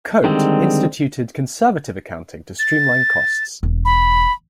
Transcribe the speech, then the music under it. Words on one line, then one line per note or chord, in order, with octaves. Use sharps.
Cote instituted conservative accounting to streamline costs.
D3 D#3 G3 G#3 C4
A6
E1
B5